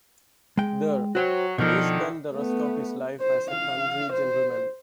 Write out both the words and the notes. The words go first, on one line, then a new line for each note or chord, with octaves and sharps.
There, he spent the rest of his life as a country gentleman.
G#3 G5
F#3 F#4 C5 G5
B2 D3 D#3 F3
A3 B3
C5
F5
C5